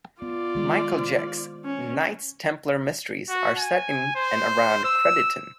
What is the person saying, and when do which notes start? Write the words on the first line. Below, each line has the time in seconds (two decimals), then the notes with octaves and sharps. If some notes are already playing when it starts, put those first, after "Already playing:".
Michael Jecks' "Knights Templar Mysteries" are set in and around Crediton.
0.22 B3 F4 D5
0.55 D#3 G#3 B3
0.92 C5
1.64 C#4
3.29 F#4
3.58 G#5
4.15 C5
4.85 E6